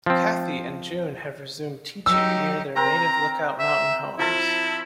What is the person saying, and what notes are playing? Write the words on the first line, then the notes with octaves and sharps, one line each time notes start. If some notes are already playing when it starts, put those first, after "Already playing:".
Kathy and June have resumed teaching near their native Lookout Mountain homes.
F3 C4
F#3 D#4 G4 E6
C4 A#4 A#5
E5
F3 E4 A4 A5